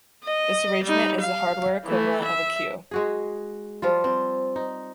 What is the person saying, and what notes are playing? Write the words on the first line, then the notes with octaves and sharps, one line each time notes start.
This arrangement is the hardware equivalent of a queue.
D#5
G3 D#4
F5
E3 A3
E5
G#3 F#4 G#4
F3 G3 F4
C4
D#4